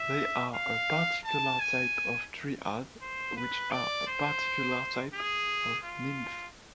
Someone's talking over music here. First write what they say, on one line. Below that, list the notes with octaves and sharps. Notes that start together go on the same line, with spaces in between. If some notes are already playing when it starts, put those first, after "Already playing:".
They are a particular type of dryad, which are a particular type of nymph.
Already playing: E5
F5
A5
G#5
C5
B4
D5
C5
G#4
F4